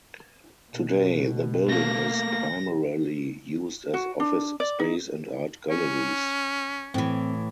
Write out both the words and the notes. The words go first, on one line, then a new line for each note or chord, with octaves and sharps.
Today the building is primarily used as office space and art galleries.
B2
A3 A#3 A#6
F#4
D4
D5
D#4
C#4
A2 E3 C4